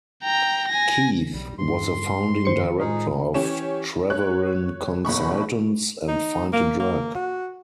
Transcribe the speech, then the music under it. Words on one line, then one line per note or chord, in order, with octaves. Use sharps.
Keith was a founding Director of Treweren Consultants and Find-a-Drug.
G5 A#5
G#5 A#6
B1 G3
G2 C6
D#3 C5 C#7
A2 G#3 D#4 F4 G#4
E3 C#4 G4 C#5 E7
C#5 F#6
F#1 B2 B5 C#6
D#4
A#3
A#3
F#4